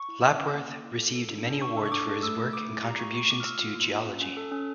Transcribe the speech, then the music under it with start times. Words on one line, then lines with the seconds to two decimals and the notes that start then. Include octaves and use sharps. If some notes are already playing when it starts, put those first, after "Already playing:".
Lapworth received many awards for his work and contributions to geology.
Already playing: C#6
0.09 E4
0.24 C#4
0.39 C#4 D6
0.54 A#3
0.69 A#3
0.85 E4
1.00 A4
1.15 A4
1.31 D4
1.46 D4
1.62 D4 C#6
1.77 A4
1.86 C#6
1.92 D4 D6
2.08 A4
2.23 A3 E6
2.39 A3
2.53 A3 D6
2.69 E4
2.84 G4 A#5
2.99 A3 C#6
3.14 A3 C#6
3.30 A3 D6
3.40 F6
3.45 F4 E6
3.60 F4
3.75 A#3
3.91 F4
4.06 C#4
4.22 C#4
4.37 A4
4.52 C#4